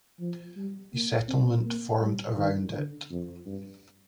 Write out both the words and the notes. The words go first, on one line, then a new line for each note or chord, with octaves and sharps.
A settlement formed around it.
F3
G3
A#3
C4
A#3
G3
D#3
D3
F2
G2